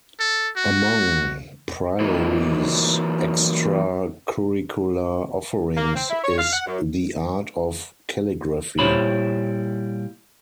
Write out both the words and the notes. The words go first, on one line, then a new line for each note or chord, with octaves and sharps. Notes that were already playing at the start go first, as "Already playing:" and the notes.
Among Priory's extracurricular offerings is the art of calligraphy.
A4
F#4
E3 F#3 A#3 D#4 E4
A#3
C4
E4
C#5
F5
F#5
F#2
A#2 G3 E4 C5 C#5 B5